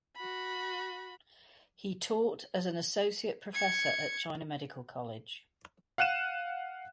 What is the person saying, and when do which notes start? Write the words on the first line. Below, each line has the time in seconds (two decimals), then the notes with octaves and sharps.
He taught as an associate professor at China Medical College.
0.16 F#4 B5
3.54 G#6 C#7
5.98 F5 F#5 F#6 D#7 E7